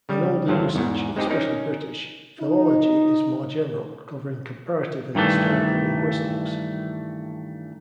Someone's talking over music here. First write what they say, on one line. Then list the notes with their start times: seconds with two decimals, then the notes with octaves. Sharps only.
In older usage, especially British, philology is more general, covering comparative and historical linguistics.
0.09 C#3 G3
0.48 G1 G2 F#3 C5
0.75 E2 G#2
1.16 G#3 C4 D#4 G4 G#4
1.30 C#4 D#4 A#4
2.40 D#4
5.15 G2 D#3 E3 A3